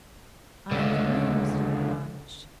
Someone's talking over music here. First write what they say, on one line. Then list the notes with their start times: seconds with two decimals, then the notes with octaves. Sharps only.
I am enormously obliged.
0.71 C#2 D3